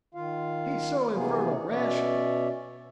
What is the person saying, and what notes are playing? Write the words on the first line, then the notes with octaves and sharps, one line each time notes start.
He's so infernal rash.
D#3 F4 F5
C3 E3 A#3 B3 G#4
B2 C#4 C#5 D5 E5